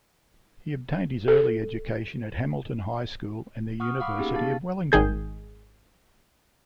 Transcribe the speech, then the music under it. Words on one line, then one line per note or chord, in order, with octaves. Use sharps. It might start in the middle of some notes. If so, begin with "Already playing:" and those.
He obtained his early education at Hamilton High School and the University of Wellington.
A4
F#5 C#6 D#6 F6
F5 F#5 B5 D6
A#3 B3 C#4 D#4 G4 G#4
B3 F5 A5 A6
G#1 D#3 G#4 G6